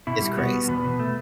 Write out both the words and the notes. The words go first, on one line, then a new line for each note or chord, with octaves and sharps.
it's crazy.
B2 E4
G3
B3 F#4
B2
E2 B4
B2
A3